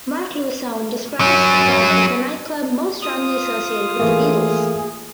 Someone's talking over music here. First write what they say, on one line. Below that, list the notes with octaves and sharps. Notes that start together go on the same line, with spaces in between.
Mark Lewisohn describes the club as the nightclub "most strongly associated with The Beatles".
F#3 C#4
F4 D#6
E3 A3 A#3 G#4